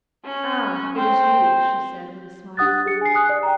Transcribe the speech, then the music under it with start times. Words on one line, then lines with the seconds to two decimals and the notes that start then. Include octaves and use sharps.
"Ah! it is you," she said, with a smile.
0.25 C#4
0.96 C4
2.57 D4 G4 F#5 D#6 F#6 A6
2.85 G4 G#4 C#7
3.01 G#5 C7
3.14 G#5 D#6 F#6
3.29 D5
3.43 G5 A#5